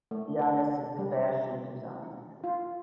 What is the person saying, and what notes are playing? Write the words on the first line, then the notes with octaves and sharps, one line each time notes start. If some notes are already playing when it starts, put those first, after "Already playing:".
Yannis is a fashion designer.
A3
G3
F4